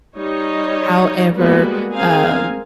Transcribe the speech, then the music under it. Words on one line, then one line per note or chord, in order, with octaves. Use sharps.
However, um,
G3 D#4 C#5 D#5
G3 G#3 A#3 B3 F#4 B4
C4 G#4 A#4 F5 G#5